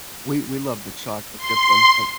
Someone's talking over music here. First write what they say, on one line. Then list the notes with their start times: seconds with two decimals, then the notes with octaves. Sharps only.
We we loved the chocolate chip ones, but
1.37 C6